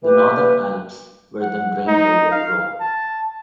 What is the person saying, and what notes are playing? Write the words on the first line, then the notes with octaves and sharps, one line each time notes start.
The northern Alps were then drained by the Rhone.
E3 A#3 G4 B4
F#5
D#4
F5
A5